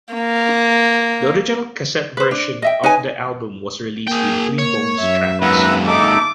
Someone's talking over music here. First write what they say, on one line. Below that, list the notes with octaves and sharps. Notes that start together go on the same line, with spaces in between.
The original cassette version of the album was released with three bonus tracks.
A#3
B4 C5
D4
D#5 E5 G5
D#4 B4 C#5 G#5
A#3 G#4 G5
C#5
F#2 E5
D#2 G#2 B4 E5 F#5 A#5
D#4 A4 E5 D6